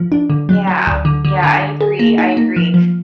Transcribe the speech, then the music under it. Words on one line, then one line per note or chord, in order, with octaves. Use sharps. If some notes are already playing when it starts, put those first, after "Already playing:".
Yeah, yeah. I agree, I agree.
Already playing: F3
D4
D3
F#3
F#3
D2
D3
D3
D3
D3
G#4
A#3
D#4
A#3
F3
F3